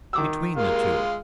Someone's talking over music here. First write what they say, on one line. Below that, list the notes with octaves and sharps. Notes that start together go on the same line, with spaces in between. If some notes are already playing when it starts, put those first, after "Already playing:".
"Between the two."
D#3 D6 E6
G#3 A#3 F4 G4 A#4 F5